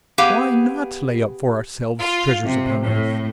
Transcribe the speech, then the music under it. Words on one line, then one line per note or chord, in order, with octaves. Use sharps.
"Why not lay up for ourselves treasures upon earth?"
B3 G4 G#4 F5
F4
C3
A2